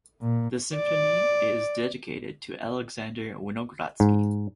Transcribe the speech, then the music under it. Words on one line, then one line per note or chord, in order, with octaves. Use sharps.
The symphony is dedicated to Alexander Winogradsky.
A#2
D5
G#2